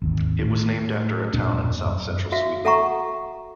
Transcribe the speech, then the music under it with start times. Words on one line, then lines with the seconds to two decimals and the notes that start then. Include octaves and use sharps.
It was named after a town in south-central Sweden.
0.02 G#1 D#2 D#3
0.43 A2
1.34 E1 G2 A#2 D4
1.86 F#2
2.32 F#4 E5 F5
2.65 A4 E5 F#5 A#5 C#6